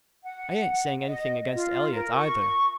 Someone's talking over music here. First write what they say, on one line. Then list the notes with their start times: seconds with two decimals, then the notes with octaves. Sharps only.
I ain't saying anything against Elliott, either.
0.24 F#5
1.06 D#5
1.54 F4
1.91 A#4
2.16 C#6